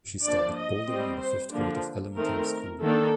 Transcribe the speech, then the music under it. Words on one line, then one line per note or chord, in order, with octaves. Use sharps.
She started bouldering in the fifth grade of elementary school.
F3 A#3 D4 D5
D#5
G3 C4
C5
D3 F3 A#3 D4
D#3 A3 C4 A#4
D#3 A#3 D4 A4